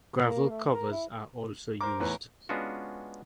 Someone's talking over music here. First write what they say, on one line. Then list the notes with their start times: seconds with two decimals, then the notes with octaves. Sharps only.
Gravel covers are also used.
0.24 A#3
0.49 A3
0.71 A#4
0.91 E4
1.81 A#4 C5 D6
2.00 E2 A2 B4
2.49 G#3 B3 C#4 D4 F4 F#4